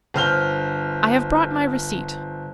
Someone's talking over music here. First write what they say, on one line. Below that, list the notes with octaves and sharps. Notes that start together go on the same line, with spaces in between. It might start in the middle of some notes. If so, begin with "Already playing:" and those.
"I have brought my receipt."
G1 C5 F6 G7